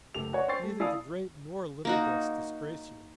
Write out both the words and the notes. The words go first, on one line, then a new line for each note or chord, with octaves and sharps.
Neither the great nor little debts disgrace you.
F#1 A3 G4 F7
F#4 C#5 D5
C5 G5 C#6 A6 C7
A3
E4 D5 F5 A5 D#6
A#3 D#4 F#4